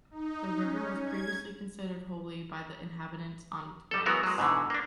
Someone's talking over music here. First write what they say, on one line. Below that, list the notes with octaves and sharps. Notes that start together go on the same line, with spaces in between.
The river was previously considered holy by the inhabitants on its banks.
D#4
C#4
G#6
G3 A4
E3 F#3 G#3 B3 F#4 A#4
F#3 G#3
G#2 B2 D3 E3
A#3 D4